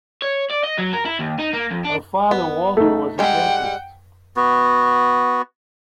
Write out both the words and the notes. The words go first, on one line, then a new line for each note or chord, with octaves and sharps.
Her father, Walter was a dentist.
C#5
D5
D#5
F#3
A#4
E4
D#2
D#4
A#3
F2
D4
B3
A3 D#4
G3 G#3 F#5 G5
B3 F#4